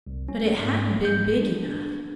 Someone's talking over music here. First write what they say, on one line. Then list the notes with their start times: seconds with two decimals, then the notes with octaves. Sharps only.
But it hadn't been big enough.
0.07 C2
0.29 C#4
0.60 G#2
1.05 G6
1.41 D4